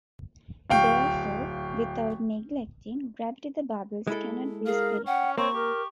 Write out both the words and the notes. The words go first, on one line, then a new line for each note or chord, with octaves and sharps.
Therefore, without neglecting gravity the bubbles cannot be spherical.
D1 F5 G5 C#6
G#3 E4 A4
G#4 A#4 F5
C#4 F#5 G5
A#3 C4 C#5 C#6
G4 A#4